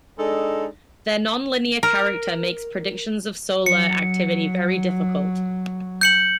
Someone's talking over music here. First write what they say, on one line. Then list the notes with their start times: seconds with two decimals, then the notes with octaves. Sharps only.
Their non-linear character makes predictions of solar activity very difficult.
0.19 G#3 D4 D#4 A4
1.83 A#4
3.66 F#3 C#7
6.01 G6 C#7 F#7